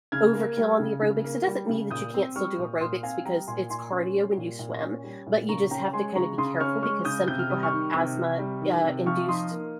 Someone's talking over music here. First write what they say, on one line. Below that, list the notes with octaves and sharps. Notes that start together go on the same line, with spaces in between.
overkill on the aerobics, it doesn't mean that you can't still do aerobics because it's cardio when you swim, but you just have to kinda be careful because some people have asthma, uh, induced
C#3 F6 G#6
A#3
G3
C#3
C#3
A#3
G3
C#3
A#2 D#6 G6
C4
G3 C#6 F6
A#2
A#2 C6 D#6
C4 F5 G#5
G3 G5 A#5
A#2 G#5 C6
A#2 G#5 C6
C#4
G3
A#2
A#2
C#4
G3
A#2
C#3 A#5 C#6
C#4 G5 A#5
G#3 G#5 C6
C#3 A#5 C#6
C#3 C6 D#6
C#4 C#6 F6
G#3 C#6 F6
C#3 D#6 G6
C3 G6
F6
G3 D#6
C#6 F6
D#3
C3
C3
G3
D#3
C3
F3 C#6 F6
D#4 C6 D#6
A#3